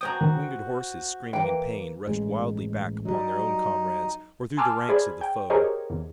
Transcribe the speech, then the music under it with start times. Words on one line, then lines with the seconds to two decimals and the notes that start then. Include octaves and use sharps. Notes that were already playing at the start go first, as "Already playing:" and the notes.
Wounded horses screaming in pain rushed wildly back upon their own comrades or through the ranks of the foe.
0.01 F#4 C5 G5 G#5 A#5 D#6
0.21 D#3
1.33 E3 A#3 G5
2.07 A1 G#3
3.05 F#3 G3 D#4
4.57 G#5 A5 C6 D6 E6 F6
4.89 G#4 C5 D5 B5 G#6
5.21 G5
5.50 G4 G#4 A#4 C5 C#5 D#5
5.90 E2